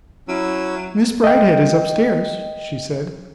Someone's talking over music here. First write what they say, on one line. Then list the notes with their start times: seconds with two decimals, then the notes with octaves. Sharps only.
"Miss Bridehead is up-stairs," she said.
0.28 F#3 C#4 E4 E6
1.24 D#5 G5